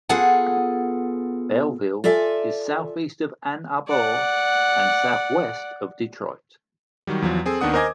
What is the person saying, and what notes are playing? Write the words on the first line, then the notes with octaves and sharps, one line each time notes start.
Belleville is southeast of Ann Arbor and southwest of Detroit.
B3 F4 G#4 A4 F#5 G#5
F4 A4 D5 E5 G#5
D5 F#5
D#3 F#3 G3
E2 F3 F#3
C4 G#4 A4
D#2 D#3 B3 D4 F#5 D#6
A#4 C5 D#5 G#5 D6 G#6